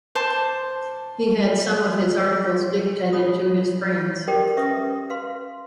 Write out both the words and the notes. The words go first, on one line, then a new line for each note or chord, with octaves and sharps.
He had some of his articles dictated to his friends.
C5 A5 D6
D#4 C#5 B5 D#6
G4 A4 A#4 C5 D5 G5
C#4 B4 E5 C#6 D#6
B4 F5 C6